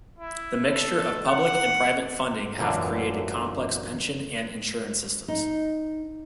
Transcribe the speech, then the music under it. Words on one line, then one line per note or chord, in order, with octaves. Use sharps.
The mixture of public and private funding have created complex pension and insurance systems.
E4
A4
F#5
F#2 A#2 D3 E3 D4
D#4